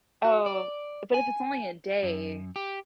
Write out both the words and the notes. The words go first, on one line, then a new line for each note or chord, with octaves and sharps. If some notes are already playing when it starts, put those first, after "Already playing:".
oh, but if it's only a day.
F#4
D5
G#5
F#2
G4